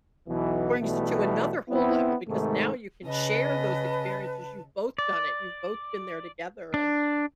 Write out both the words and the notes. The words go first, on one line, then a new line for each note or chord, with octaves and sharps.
brings it to another whole level, because now you can share those experiences, you've both done it, you've both been there together, and
B1 B2 E3
B1 B2 E3 G3 A3 B3
B3 C4 E4
G#2 C3 D#3 A3
C#3 B4 D#5 A5
D5
D4